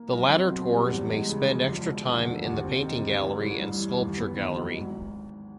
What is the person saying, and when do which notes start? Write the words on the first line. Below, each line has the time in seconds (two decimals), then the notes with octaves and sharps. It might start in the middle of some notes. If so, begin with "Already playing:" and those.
The latter tours may spend extra time in the Painting Gallery and Sculpture Gallery.
Already playing: A#3
0.13 B1
0.31 C4
0.51 B2
0.70 G3
0.90 E2
1.09 G#3
1.28 C#3
1.47 F3
1.67 E1
1.86 F3
2.05 D2
2.24 D3
2.44 D#2
2.63 C4
2.83 D#3
3.02 G3
3.21 A1
3.40 A1
3.59 G2
3.79 E3
3.99 D#2
4.18 B3
4.37 D#3
4.56 F#3
4.75 G#1